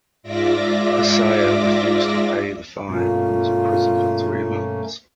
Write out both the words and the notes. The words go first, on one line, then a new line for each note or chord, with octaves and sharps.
Hsieh refused to pay the fine and was imprisoned for three months.
G#2 F4 D5 E5 D6 A#6
G2 B2 A3 A#3 C#4 F4